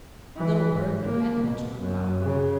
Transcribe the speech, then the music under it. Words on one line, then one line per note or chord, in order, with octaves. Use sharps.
Little Bergmann hadn't much lung power.
E3
G#2
A#3
B2
F#2
C#3